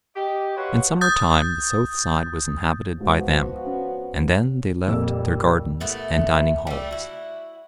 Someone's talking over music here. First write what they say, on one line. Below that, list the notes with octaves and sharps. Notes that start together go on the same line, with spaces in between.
In summer time the south side was inhabited by them, and then they left their gardens and dining-halls.
G4 D#5
F#4 B4 C#5 D#5 F5 C6
D#6 G6 A6
G#2 F3 B3 F#4
C#4
F2 A#2 G3 E6
A#2 A3 B3 E4
G3 A3
E4 F#4